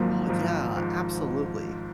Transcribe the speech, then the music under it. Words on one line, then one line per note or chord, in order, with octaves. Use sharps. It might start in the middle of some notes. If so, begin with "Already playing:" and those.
Oh, yeah, absolutely.
Already playing: G#1 G#2 F3 F#3 A#3
G#1 G#2 F3
G#1 G#2 F3